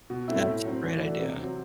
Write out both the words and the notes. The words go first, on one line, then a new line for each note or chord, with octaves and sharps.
That's a great idea.
B2
A3 C4 E4
A2
F#3 C4
E3
A3 D4 F#4
C3
F#3 C4